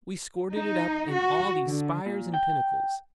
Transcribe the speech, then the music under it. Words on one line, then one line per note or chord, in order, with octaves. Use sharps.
We squirted it up in all these spires and pinnacles.
D#4
F#4
D3
A#2
G5